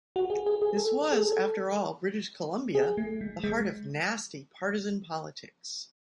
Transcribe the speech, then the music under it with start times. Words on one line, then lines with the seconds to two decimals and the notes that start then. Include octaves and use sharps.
This was, after all, British Columbia, the heart of nasty, partisan politics.
0.16 F#4
0.30 G#4
0.46 G#4
0.62 G#4
0.77 A4
1.02 A4
1.13 G#4
1.23 A4
2.75 G#4
2.97 A3
3.21 G#3
3.44 G#3